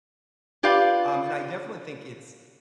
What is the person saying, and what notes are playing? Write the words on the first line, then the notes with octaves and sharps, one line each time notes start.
Um, and I definitely think it's
F4 G4 B4 D5 F5